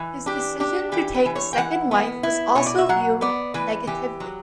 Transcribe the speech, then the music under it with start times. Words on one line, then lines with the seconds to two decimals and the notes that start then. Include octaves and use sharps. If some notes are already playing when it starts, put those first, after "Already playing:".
His decision to take a second wife was also viewed negatively.
Already playing: E3
0.26 D4 G4
0.60 D4 G4
0.92 E3 G4
1.14 B4
1.26 E3
1.36 C#5
1.53 G5
1.57 E3 F#5
1.91 B3
2.23 E4
2.55 B2 C#5
2.66 D5
2.78 E5
2.89 F#3 F#5
3.21 B3 D5
3.54 E3 B4
3.87 E3 G4
4.20 F#3